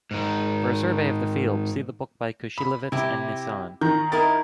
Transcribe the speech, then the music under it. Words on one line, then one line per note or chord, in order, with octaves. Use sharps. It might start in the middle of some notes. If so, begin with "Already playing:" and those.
For a survey of the field, see the book by Kushilevitz and Nisan.
G#2 D#3
B5
C3 E4 G4
D#3 A#5 G6
E4 A#4 D#5 A6